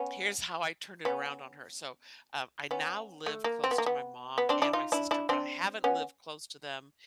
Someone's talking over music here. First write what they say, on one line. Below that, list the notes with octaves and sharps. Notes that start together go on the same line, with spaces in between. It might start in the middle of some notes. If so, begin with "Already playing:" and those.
Here's how I turned it around on her, so, um, I now live close to my mom and my sister, but I haven't lived close to them,
Already playing: B3 C#4
B3 C#4
B3 C#4
A3
A#3
C4
B3
A#3
B3
B3
C4 D4
D4 E4
D#4 F4
D4 E4
D4 E4
C4 D4
B3 C#4